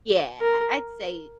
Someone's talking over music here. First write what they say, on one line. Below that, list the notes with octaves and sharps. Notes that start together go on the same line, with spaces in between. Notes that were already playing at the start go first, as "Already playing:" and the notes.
yeah, I I'd say
A#4